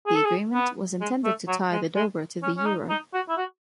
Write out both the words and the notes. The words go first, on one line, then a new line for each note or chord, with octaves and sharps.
The agreement was intended to tie the dobra to the euro.
G#4
A4
G#4
B3
G#3
A3
F#3
G#3
G#3
C#4
C#4
D#4
D#4
F#4
E4
F#4